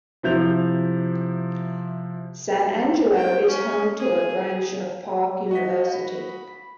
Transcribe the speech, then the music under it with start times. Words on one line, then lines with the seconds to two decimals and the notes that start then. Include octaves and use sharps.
San Angelo is home to a branch of Park University.
0.23 C3 F3 E4 G6 F7
3.17 G5
3.46 C#4
3.99 G#4
5.51 F#4 D#5 B6
5.93 B5